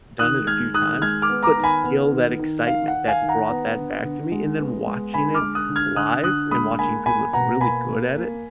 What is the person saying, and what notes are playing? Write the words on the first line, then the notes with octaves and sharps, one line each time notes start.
done it a few times, but still that excitement that brought that back to me, and then watching it live, and watching people that are really good at it,
D#3 D#6 F#6
G#3 F6 G#6
D#3 D#6 F#6
G#3 F6 G#6
D6 F6
B3
A#5 D6
D#3
G#5 B5
B3
D#3
D#3
D#3 F5
F#5
D#3
F5 G#5
D#3
F#5 A#5
B3
D3
D3
G#3
B3
G#3
D3 G#5 B5
D6 F6
G#3
D#6 F#6
D3
F6 G#6
D3 D#6 F#6
D3 D#6 F#6
G#3 B5 D#6
A#3 G#5 B5
A#3 G#5 B5
B2 F#5 A#5
A#3 G#5 B5
A#3
A#3